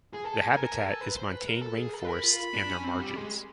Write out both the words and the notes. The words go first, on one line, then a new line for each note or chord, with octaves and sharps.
The habitat is montane rainforests and their margins.
G#4
A4 G#5
A4
A#4
A4
B4
C5
B4
A#4
A4
G#4
A4
B4
A#4 B5
F4
D4
C#4
C4
G3
G#3